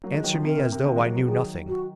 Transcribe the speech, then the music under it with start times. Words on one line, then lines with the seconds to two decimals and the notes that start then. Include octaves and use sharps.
"Answer me as though I knew nothing."
0.03 F#3 A#3
0.14 F3 G#3
0.24 D#3 F#3
0.34 C#3 F3
0.44 C3 D#3 A#4
0.57 C3
0.72 C3
0.85 C3 D#3
0.96 F3 G#3
1.06 F#3 A#3
1.16 F3 G#3
1.27 D#3 F#3 G#4
1.68 F#4